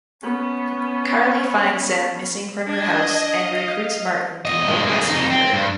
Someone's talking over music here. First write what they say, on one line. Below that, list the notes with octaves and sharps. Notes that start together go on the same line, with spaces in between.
Carly finds Sam missing from her house and recruits Martin to help rescue her.
B3 C#4
D4 D#5 G#6
F5
E2 D#5
G2 G#3
A#3 G#4
F2 D#4
C4
G2